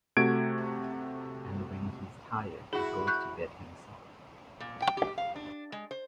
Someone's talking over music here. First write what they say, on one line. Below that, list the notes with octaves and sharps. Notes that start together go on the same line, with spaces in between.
And when he's tired he goes to bed himself.
C3 A3 F#4 G#6 D7
E4 F#4 G#4
C#6 F#6 G6
A#2
G5
G4
F5
D4
G#3
C5